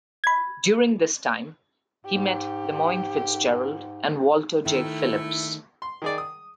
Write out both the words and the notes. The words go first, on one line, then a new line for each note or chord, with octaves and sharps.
During this time, he met LeMoine Fitzgerald and Walter J. Phillips.
B5 G#6
G#2 G4
D#3 A3 E4
C6
D#3 G#4 D5
D#6